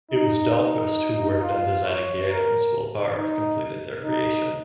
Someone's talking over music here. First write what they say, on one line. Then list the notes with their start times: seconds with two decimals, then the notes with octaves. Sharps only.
It was Dahlquist who worked on designing the items while Barve completed their creation.
0.11 D#4
0.54 D#4
1.41 F4
1.85 C#5
2.29 A#4
3.16 D#4
4.04 D#4